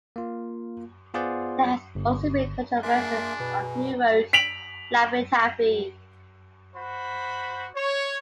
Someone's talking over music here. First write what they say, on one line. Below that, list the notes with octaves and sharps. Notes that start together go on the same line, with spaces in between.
There has also been controversy on who wrote "Laffy Taffy".
A#3 F4
B3 F4 G#4 C5 D5 F#5
G1
A#3 D4 G#4 A#4 E5 C6
B2 B4
B6 D7 F7 F#7
F#4 C5 B5
C#5